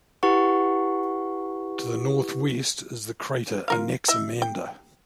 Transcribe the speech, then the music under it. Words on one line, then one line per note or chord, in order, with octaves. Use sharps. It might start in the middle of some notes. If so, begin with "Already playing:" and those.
To the northwest is the crater Anaximander.
E4 G4 B4 F#5 C#6
F4 A#4 F5
E4 D#5 E5
G5